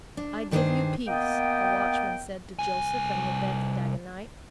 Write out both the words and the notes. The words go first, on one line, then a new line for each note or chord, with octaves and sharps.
"I give you peace," the watchman said to Joseph and the Beth Dagonite.
D4
G2 D#3 B3 D4 G#4 C5
A#3 B3 D#5 G5
C2 G#5